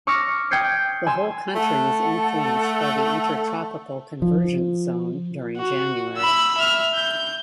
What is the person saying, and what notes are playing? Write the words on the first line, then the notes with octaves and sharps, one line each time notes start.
The whole country is influenced by the Intertropical Convergence Zone during January.
C#6 D6 E6 F6 A#6 C#7
G5 D#6 G6 G#6 C7 C#7
G#5 C6 E6
A3 A4 F#5
F3
F#4
B5 E6
E5 F6
G6